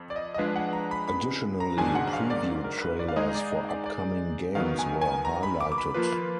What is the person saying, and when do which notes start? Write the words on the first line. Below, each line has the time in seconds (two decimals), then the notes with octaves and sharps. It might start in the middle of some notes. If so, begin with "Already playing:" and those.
Additionally, preview trailers for upcoming games were highlighted.
Already playing: F2
0.10 D5
0.16 D#5
0.34 D#5
0.38 F3 G#3 D4 G#4 B4 F5
0.56 F#5
0.73 A#5
0.91 B5
1.08 B5
1.60 A#5
1.77 G#2 D#3 F#3 D4 G#4 G#5
1.95 F#5
2.13 F5
2.30 D5
2.64 A#4
2.82 B4
2.99 D5
3.08 F5
3.16 G#3 D#4 G#4 D#5
3.35 D5
3.51 D#5
3.69 D5
3.86 D5
4.55 D#3 F#3 B3 F5
4.79 G#5
5.02 G#5
5.25 A#5
5.43 B5
5.61 D6
5.72 D6
5.78 B5
5.94 F3 A#3 F4 B4